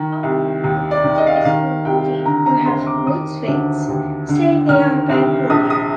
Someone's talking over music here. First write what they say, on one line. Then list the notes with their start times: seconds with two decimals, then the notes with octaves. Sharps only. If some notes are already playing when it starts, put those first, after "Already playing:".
Often individuals who are "moody" or have mood swings say they are bipolar.
Already playing: D#3
0.23 C2
0.64 D#2
0.91 D5
1.04 D#3
1.18 D#5
1.27 F5
1.36 D#5
1.45 D#3 F5
1.85 C2 G5
2.25 D3 A#5
2.46 A#5
2.66 F1 C6
2.87 D6
3.07 D#3 D#6
3.47 D2
3.88 D#2
4.28 D3
4.69 D#3 F6
5.10 C2
5.50 A#1 D#6
5.70 D#6